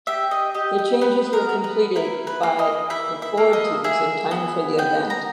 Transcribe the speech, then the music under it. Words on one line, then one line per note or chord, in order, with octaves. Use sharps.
The changes were completed by the Ford teams in time for the event.
G4 E5
D#5
G4 D#5
D#5
B3 B4
A#4
B3
B4
E4 A#4
B4
A#3
D#5
E4 E5
E5
A#3
D#5
G#4 E5
B3
B3 G5
A#5